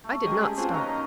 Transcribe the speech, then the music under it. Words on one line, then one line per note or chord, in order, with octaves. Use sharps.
I did not start!
A3
G#3 C#4 G4 A#4
G#4
B2 C4 D4 F4 G#4
A#2 D#3 C#4 D#4 A#5
F#2